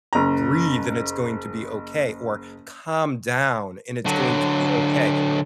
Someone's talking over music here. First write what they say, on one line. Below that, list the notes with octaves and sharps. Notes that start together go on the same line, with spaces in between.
"Breathe and it's going to be okay," or "Calm down and it's going to be okay,"
F#1 A#5
D3 F#3